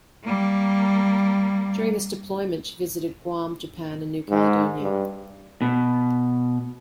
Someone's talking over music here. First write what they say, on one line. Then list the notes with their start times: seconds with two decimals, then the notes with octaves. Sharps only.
During this deployment, she visited Guam, Japan, and New Caledonia.
0.24 G3 A#3
4.30 G#2
4.81 G2
5.62 B2